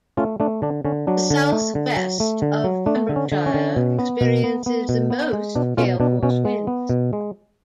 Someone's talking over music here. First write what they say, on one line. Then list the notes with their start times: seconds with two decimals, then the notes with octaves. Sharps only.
The southwest of Pembrokeshire experiences the most gale-force winds.
0.17 A3 C#4 F4
0.40 A3 D4
0.62 D3 D4
0.85 D3 C#4
1.07 F#3 D4
1.30 D3
1.52 A3
1.75 D3
1.97 F#3
2.20 A3
2.42 D3
2.64 F#3
2.86 A3 D4
3.09 D3
3.16 C#4
3.32 D3
3.46 C#4
3.54 D3
3.76 B2
3.99 B3
4.21 B2
4.44 B3
4.66 B3
4.89 B2
5.10 B3
5.33 G#3
5.55 B2 D4
5.77 B2 C#4 F4
6.00 B2 D4
6.23 B2 C#4
6.45 G#3
6.67 B3
6.90 B2
7.13 G#3